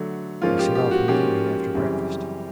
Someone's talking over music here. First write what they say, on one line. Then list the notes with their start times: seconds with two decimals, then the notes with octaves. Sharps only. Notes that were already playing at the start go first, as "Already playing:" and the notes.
We set off immediately after breakfast.
Already playing: D3 F#3 A3
0.42 G#2 F3 A#3 C#4 F4
0.59 G4
0.75 G4
0.91 F#4
1.08 G#2 F3 A#3 C#4 G4
1.75 F#2 C#3 E3 G3 C4